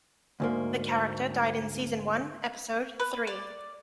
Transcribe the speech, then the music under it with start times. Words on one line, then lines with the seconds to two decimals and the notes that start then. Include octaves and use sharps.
The character died in season one, episode three.
0.40 D2 G#2 A#3
3.00 B4
3.27 D5